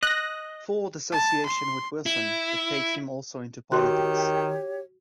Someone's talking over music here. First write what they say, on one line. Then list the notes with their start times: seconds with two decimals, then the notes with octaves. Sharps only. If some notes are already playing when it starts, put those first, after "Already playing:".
Ford's association with Wilson would take him also into politics.
0.03 D#5 F#6 A#6
1.12 A5
1.46 C6
2.06 E4
3.72 D#3 F#4 G4 C#5 C6 F#6